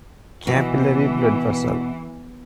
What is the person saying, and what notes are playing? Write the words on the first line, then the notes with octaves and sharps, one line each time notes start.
Capillary blood vessel.
B2 E3